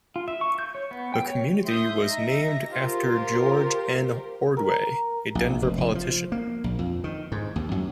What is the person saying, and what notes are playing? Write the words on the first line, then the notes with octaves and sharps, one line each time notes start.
The community was named after George N. Ordway, a Denver politician.
F4
E5
C#6
G6
C#5
B3
G5
C#5
E5 C6 D#6 G6
D#4 A#6
F4 G4 A#4 C5
A#4
A#1
F1
F1
F3
A#3
A#1
F2
D#3
G#2
D#2
F#2